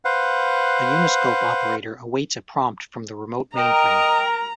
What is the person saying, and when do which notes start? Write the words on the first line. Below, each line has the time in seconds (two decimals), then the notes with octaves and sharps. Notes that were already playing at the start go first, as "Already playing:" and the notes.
A Uniscope operator awaits a prompt from the remote mainframe.
0.05 B4 C5 F5 F#5
3.56 A#4 D#5 G5 A#5